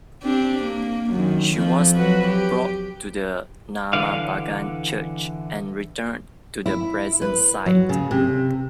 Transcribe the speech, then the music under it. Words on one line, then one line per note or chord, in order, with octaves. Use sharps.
She was brought to the Namagbagan church, and returned to the present site.
C4 D4 G4
A#3
F#2 D#3
F2 F3
F#3 F#4 B4
G4
D3 E3 D4 F5
E4
B4
F#3
C#3
C3